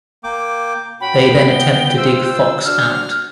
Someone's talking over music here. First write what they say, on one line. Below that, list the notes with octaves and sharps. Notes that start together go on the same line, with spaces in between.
They then attempt to dig Fox out.
A#3 G5 D6
A#2 C#4 F#4 G5 B5
B3
G7
F4 C5 E6
D4 F#4 F6